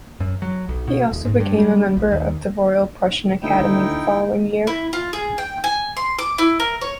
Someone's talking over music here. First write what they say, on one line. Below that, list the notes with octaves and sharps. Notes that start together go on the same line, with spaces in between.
He also became a member of the Royal Prussian Academy the following year.
F#2
F#3
B1
B2
D#1
G#2
G2
G3
A#1
D#2
D2 D#4 E4 G5
E4
F4
G#4
G5
G#5
C6
D6
E4
A#4
C#5